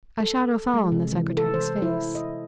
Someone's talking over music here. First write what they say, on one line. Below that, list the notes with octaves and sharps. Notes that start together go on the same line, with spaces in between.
A shadow fell on the secretary's face.
A4
G#3
C3
E3
A4
C5
E4
D#5